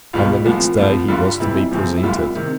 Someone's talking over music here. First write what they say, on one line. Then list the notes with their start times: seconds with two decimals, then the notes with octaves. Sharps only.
On the next day, he was to be presented.
0.13 C#2 B2 G3 F4
0.45 C2 A#2 F3
0.77 C2 C3 F3
1.08 G2 D3 G3 F4
1.40 F2 C3 E3 G3 E4
1.72 E2 C3 F3
1.97 E4
2.03 C2 A#2 G3 F4
2.19 E4
2.35 C3 D#3